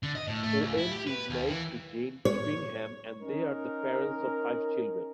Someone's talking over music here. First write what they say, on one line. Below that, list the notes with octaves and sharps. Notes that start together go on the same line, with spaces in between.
Owen is married to Jane Stringham and they are the parents of five children.
D3
D#5
A2
A3
C#2
E4
G4
B4
D#2
E3
C#5
C#4 D#4 A#4